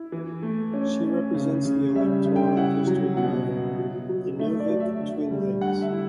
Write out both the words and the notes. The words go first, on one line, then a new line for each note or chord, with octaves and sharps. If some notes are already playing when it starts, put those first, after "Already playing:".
She represents the electoral district of Inuvik Twin Lakes.
Already playing: E4
E3
A3
C#4
C#4
C#3
C#3
G3 E5
C#3
G5
E4 F#5
F#3
B2 F#5
B3
F#3
F#3
A3 E5
D5
F#3
E5
D3
G3
D3 F#5
E5
E4